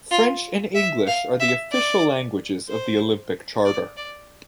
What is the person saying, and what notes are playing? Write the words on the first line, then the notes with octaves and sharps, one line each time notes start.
French and English are the official languages of the Olympic Charter.
F4
E5
F5
E5
D5
C5
D5
D5